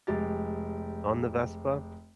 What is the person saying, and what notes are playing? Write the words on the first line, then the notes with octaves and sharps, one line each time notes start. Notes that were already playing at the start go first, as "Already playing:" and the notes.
on the Vespa,
F1 G#3 G4 A6